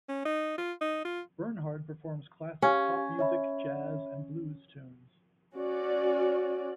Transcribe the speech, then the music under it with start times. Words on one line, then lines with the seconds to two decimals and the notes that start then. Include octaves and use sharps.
Bernhard performs classic pop music, jazz, and blues tunes.
0.09 C#4
0.25 D#4
0.58 F4
0.81 D#4
1.05 F4
2.62 C#4 G4 F5
3.19 C#5 E5 B5
5.56 C#4 F#4 D5